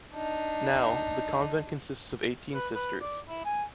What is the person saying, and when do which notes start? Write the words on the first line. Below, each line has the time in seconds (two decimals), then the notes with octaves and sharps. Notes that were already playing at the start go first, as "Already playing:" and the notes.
Now, the convent consists of eighteen sisters.
0.14 D4 D#4
2.54 B4
2.75 B4
3.01 D5
3.28 E4
3.45 G#5